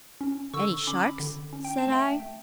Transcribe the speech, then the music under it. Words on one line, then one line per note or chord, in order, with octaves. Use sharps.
"Any sharks?" said I.
C#4
D3 C#6 E6
C#4 B5 D6
D3
C#4
G5
A5
A3
E5 G5
A3